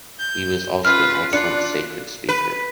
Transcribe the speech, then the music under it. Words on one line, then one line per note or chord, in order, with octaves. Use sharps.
He was also an excellent sacred speaker.
G6
C#4 F4 B4 F6
D4 F4 F#6 C#7
B4